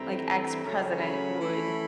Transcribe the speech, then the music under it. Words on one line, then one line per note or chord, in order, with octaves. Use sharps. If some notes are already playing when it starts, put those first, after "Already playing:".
like, ex-president would
Already playing: G2 E3 A3 C4 E4 A#5
C#3 F#3 A3 C#4 A#5
B5
E3 A3 C#4 E4